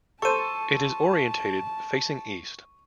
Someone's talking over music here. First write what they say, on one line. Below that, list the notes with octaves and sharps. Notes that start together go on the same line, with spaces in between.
It is orientated facing east.
A4 C5 A5 C#6 D#7